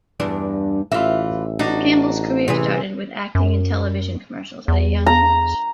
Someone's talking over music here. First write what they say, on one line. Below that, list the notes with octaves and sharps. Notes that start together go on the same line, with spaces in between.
Campbell's career started with acting in television commercials at a young age.
E2 G2 D4
A1 E3 F4 E5
D4 D#4 F#4
C3 E3 G#4
F#2
E2
A#5